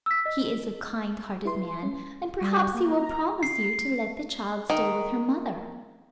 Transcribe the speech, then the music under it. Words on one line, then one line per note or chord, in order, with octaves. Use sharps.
He is a kind-hearted man, and perhaps he will promise you to let the child stay with her mother.
E6 B6
D#5
E4 B4 C6
C#4
G3
A#3
A#5
C7
D#3